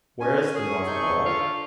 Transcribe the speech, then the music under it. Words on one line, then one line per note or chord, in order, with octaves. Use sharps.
"Where is the North Pole?"
C#4 G#5
A3 G#4 C#6
C3 D#4 G6
D3 F4